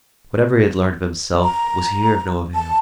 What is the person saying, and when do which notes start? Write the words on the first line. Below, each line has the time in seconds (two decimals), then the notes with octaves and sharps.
Whatever he had learned of himself was here of no avail.
1.43 A#5
2.55 A5